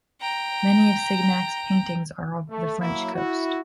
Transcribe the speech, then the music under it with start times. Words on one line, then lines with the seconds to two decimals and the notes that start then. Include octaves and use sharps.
Many of Signac's paintings are of the French coast.
0.21 G5 A#5
2.49 A3
2.80 F#3 A#3 E4
3.15 E4 F#4